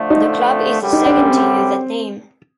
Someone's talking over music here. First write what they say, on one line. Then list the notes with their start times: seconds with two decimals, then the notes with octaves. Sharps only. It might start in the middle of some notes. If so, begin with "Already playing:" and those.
The club is the second to use that name.
Already playing: D3 F3 A3
0.10 D#4
0.79 F#2 D3 G3
0.93 D#4
1.06 D4
1.18 C#4
1.30 C4